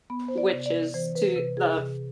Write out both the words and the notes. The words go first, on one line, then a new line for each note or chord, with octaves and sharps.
witches to the
B3 B5
C5
D5
C3
D5
E3 C5
B4
C3 B4
G#4
C3